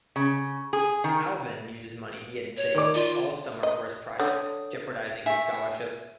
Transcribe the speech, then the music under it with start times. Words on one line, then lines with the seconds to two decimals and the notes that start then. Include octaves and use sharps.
Alvin uses money he had saved all summer for his project, jeopardizing his scholarship.
0.16 C#3
0.73 G#4
1.04 D#3
2.57 C#5
2.75 D#3 D5 D6
2.95 F4 D5
3.63 D#5
4.20 D3 C#5 D#6
5.26 D4 G4 E5